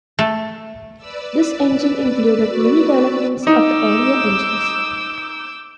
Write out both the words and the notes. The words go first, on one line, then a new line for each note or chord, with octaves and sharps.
This engine included many developments of the earlier engines.
A3
B4 D5 E6
F#4
D#4 D6 E6 G6